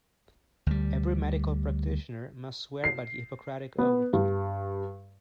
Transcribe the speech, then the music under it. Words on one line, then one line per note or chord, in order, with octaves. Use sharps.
Every medical practitioner must swear by the Hippocratic oath.
D2 G3
C7
B3
G2